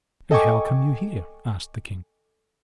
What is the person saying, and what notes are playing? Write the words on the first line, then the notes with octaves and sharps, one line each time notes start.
"And how come you here?" asked the king.
A4 D#5 G5 G#5 C#6 D6